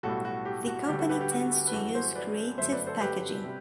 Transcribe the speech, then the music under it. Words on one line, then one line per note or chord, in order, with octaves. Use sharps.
The company tends to use creative packaging.
B1 A2 G3 F#4 A4
F#4
G4
F#4
D2 D3 G3 G4
F#4 A4
G4 B4
G4
F#4
G4
B4
F#2 E3 G3 F#4 A4
A4 C5
B4 D5
G1 F#2 F#3 A3 C5 E5
B4 D5
A4 C5
G4 B4
C3 G3